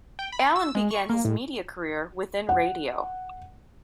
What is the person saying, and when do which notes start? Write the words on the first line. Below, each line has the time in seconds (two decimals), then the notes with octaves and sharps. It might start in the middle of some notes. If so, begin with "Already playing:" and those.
Alan began his media career within radio.
0.19 G5
0.32 B5
0.56 E6
0.75 G#3
0.91 C#6
1.09 A#3
1.25 A2
2.49 F#5